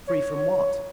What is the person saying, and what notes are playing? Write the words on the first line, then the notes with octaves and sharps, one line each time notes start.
Free from what?
C#5